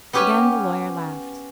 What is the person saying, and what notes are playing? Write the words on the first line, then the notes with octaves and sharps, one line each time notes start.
Again the lawyer laughed.
B3 C#4 G4 B4 G#5